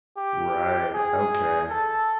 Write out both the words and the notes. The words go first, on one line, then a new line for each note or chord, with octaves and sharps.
Right, okay.
G4
G#4
A4